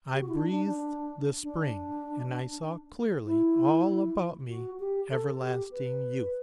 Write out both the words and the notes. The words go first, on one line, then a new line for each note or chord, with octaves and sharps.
I breathed the spring and I saw clearly all about me everlasting youth.
G4
F#4
E4
D4
D4
D4
D4
E4
F#4
G4
A4
G4
B4